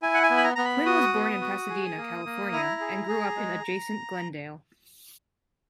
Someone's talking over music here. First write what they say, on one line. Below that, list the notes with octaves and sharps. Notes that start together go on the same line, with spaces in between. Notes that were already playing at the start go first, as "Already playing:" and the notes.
Quinn was born in Pasadena, California, and grew up in adjacent Glendale.
E4 G#5
F#5
G#5
B3
B5
A#5
B3 A#5
B5
F#4 D#6
B3
F#4
G#4
A#3
A#3
E4 A#5
G#4
G#4
G#3